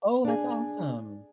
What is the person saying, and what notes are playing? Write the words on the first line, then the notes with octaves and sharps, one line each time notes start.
Oh, that's awesome!
D4 G#4